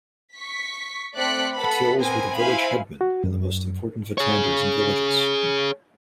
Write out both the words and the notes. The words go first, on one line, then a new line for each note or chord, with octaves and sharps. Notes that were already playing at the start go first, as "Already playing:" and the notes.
Patils were the village headmen and the most important vatandars in villages.
C#6 B6
A3 C4 D5 F#6 B6 C#7
A4 B4 F#5 B5
B3 C4 A#4 G#5
E4 C5 F5 G#5 B5
F#4
F#2
G#4 C#5